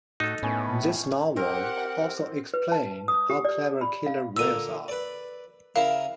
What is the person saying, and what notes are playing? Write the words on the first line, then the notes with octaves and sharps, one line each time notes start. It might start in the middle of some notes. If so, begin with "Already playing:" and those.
This novel also explain how clever killer whales are.
A2 D#4 F#4 A4
A2 B3 C#4
C4 G4 A#4 F#5
B4
A5
D#6
G4
D5
B5
F5
A#2 D3 A#3 E6 D#7
B4 D5
C#3 E4 A#4 F5